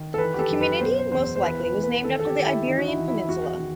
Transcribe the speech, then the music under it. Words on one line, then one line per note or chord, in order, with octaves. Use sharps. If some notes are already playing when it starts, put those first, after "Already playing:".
The community most likely was named after the Iberian Peninsula.
Already playing: D#3
A4
E3 B4
G4
A4
F#2
B4
B2 C5
C5
E2 C5
C5
E3 B4
B4
E3
B4
D#3 A4
A4
G4
D#3
E4
E3 D#4
F#4
E4
E3
E4
E4
E2 F#4
D#3